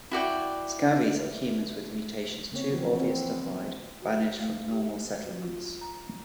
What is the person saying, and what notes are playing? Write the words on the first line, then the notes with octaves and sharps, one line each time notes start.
Scavvies are humans with mutations too obvious to hide, banished from normal settlements.
E4 F#4 D5 G5
C#3 A#3 C4 C#5
E3 F3 B3
E3 C4
F#4
A3
G4
F#4
F4
A#5